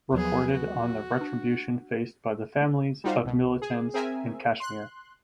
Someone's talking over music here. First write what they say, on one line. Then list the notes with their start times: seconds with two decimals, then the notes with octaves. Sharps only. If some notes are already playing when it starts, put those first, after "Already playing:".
Reported on the retribution faced by the Families of Militants in Kashmir.
0.13 D#2 F3 F#3 B3 G#4
0.52 F#4
1.21 D4
3.04 G3 D#4 F4 F#4 C5 F5
3.24 C2 B2
3.62 G#4
3.94 C4 G#4 A#4 E5 G#5
4.60 C6 F#6